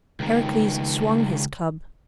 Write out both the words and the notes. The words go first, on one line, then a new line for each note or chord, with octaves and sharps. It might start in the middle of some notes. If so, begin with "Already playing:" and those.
Heracles swung his club.
C#2 D#3